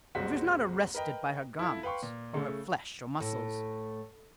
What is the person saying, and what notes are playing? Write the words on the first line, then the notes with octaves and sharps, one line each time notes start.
It was not arrested by her garments, or her flesh or muscles.
F#1 C2 G#3 C4 F#4 B6
A#4 B4 D#5 G5 A#5
E4 F4 A4 E5
B4 F5 G5 C6 C#6
A#2
C#3 A3
A2